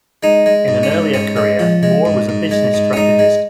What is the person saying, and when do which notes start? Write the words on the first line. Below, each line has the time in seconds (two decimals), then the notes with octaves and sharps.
In an earlier career, Moore was a business strategist.
0.23 G#3 D#4
0.46 G#3
0.68 G#2
0.83 C#4
0.92 G#2
1.14 G#2 C#4
1.36 G#3
1.59 F3
1.83 G#3
2.05 G#2
2.29 G#2
2.51 G#3
2.74 G#2
2.93 C#4
2.97 G#2 D#4
3.19 G#3